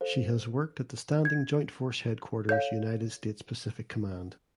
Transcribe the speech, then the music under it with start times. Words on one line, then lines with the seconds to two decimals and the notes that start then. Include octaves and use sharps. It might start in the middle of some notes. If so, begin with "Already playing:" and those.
She has worked at the Standing Joint Force Headquarters United States Pacific Command.
0.01 A4 C5 F5
1.25 G#6
2.49 A4 C#5 F5 G6